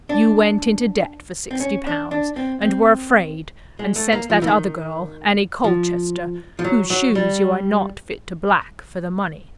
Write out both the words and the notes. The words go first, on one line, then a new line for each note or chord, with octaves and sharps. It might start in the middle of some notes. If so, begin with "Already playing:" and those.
You went into debt for sixty pounds, and were afraid, and sent that other girl, Annie Colchester, whose shoes you are not fit to black, for the money.
D4
C4
C#4
D4
D4
C4
C4
G#3
A3
A#3
F3
E3
D#3
F3
F3
F#3
F#3
G3